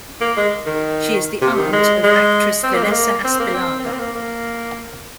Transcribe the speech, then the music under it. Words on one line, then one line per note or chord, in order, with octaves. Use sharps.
She is the aunt of actress Vanessa Aspillaga.
A#3
G#3
D#3
C3
D#3
G#3
G#3
C4
A#3
G#3
A#3
C4
A#3
C4
C4
A#3
C4
A#3
A#3